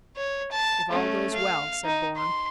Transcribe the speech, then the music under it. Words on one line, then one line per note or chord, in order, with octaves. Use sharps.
"If all goes well," said Bourne.
C#5
A5
A3 C#4
F5
D#4
C6